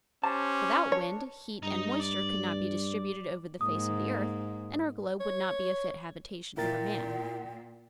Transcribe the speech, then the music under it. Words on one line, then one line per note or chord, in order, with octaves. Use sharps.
Without wind, heat and moisture could not be distributed over the face of the earth and our globe would not be a fit habitation for man.
C#4 G4 C5 A5
D4 C#5
G2 D#4 D#5
D5
G#2 A#3 D#6
C#5
A#2 E4 A#4 G5 A6